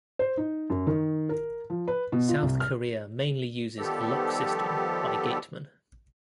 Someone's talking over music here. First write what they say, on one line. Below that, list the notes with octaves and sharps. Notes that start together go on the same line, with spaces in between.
South Korea mainly uses a lock system by Gateman.
C5
D#4
F#2
D#3
A#4
F3
B4
B2
F4
C2
F6
D#3 F3 G3 B3 G4 A4